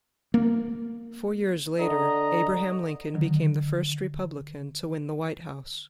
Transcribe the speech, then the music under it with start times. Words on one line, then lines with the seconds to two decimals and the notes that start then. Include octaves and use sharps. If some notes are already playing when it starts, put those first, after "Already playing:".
Four years later, Abraham Lincoln became the first Republican to win the White House.
0.34 A#3
1.80 D3 D#5 A#5
3.14 D3 D#3 F#3